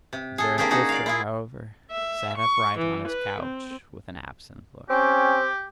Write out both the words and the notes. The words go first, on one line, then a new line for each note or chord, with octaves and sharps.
Zarathustra, however, sat upright on his couch, with an absent look.
C3
G#4 A4
A#3 C4 D4 G4 G#4
C#4 D#4 F#4 G#4
D5 F5
E4 F4 G#4
E5
C#6
E3
B4
C4
C4 C#4 G4